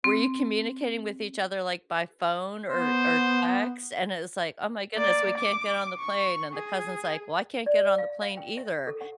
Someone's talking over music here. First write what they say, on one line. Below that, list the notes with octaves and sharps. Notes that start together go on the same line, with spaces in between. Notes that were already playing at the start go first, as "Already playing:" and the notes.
Were you communicating with each other, like, by phone or or text? And it's like, "Oh my goodness, we can't get on the plane," and the cousin's like, "Well, I can't get on the plane either."
C4
B3 C5
A#3 D5
D6
C#6
G#4
D5
D5
F5
F5
G5
E5
A4
F#5